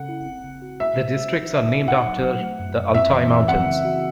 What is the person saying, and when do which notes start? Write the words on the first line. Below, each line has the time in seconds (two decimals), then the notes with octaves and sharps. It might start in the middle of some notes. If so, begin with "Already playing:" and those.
The districts are named after the Altai Mountains.
Already playing: C#3 C#4 A4 F#5
0.09 E4
0.26 C4
0.44 C#3
0.62 F#4
0.80 G#4 E5
0.98 G#3
1.16 C5
1.33 D#4
1.52 F#3
1.69 F#4
1.87 D#4 F#5
2.06 F#3
2.23 F#3
2.40 A3
2.59 F#2
2.77 F#2
2.95 C4 E5
3.12 E3
3.30 E3
3.48 C4 F#5
3.66 C#3
3.85 F#4